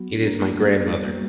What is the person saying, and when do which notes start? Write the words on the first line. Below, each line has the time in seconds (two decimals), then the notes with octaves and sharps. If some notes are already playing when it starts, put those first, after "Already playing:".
It is my grandmother.
Already playing: F#3 B3 F#4
0.09 D4
0.27 G3 A#3 A#4
0.46 B3
0.66 F#4
0.84 G3
1.03 A#3